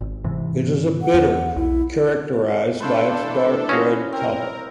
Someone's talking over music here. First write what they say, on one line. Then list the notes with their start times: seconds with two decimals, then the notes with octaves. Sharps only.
It is a bitter characterised by its dark red colour.
0.01 G#1
0.24 G#2 C3 E3
1.02 F#5
1.14 E2
1.56 B1 E4
2.80 A3 D4 A4 B4 C5 F5
3.23 E3
3.69 C#4 F#4 D#5 F5
4.12 C4 A#4